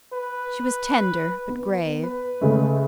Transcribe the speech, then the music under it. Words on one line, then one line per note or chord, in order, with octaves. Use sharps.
She was tender, but grave.
B4
B3
B4
C#3 G#3 A3